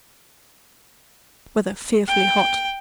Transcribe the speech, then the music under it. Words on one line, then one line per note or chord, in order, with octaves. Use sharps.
Weather fearfully hot.
G5